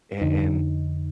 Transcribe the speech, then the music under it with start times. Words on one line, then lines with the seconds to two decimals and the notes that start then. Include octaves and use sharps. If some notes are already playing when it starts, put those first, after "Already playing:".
and and,
0.21 F2 D3 D#4